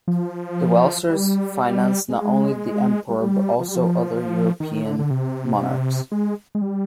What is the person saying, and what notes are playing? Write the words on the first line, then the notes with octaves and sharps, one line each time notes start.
The Welsers financed not only the Emperor, but also other European monarchs.
F3
G3
G#3
G3
F3
G3
F3
D#3
D3
D3
C3
G#3
G#3
G3